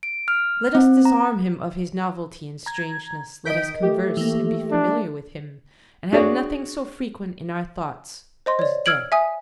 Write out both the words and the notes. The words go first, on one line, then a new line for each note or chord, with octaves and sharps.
Let us disarm him of his novelty and strangeness, let us converse and be familiar with him, and have nothing so frequent in our thoughts as death.
D7
F6
C4
A#5
A#5 G#6
D#3 A#4 D#5 G6 B6 D7
A3 G4
E3 A#3
D4
D4 F#4 G#4 C#5 D5
C5 D#5 C6
C#5 D5
E6 F6 G#6 D7 F#7
E5 G#5 D#6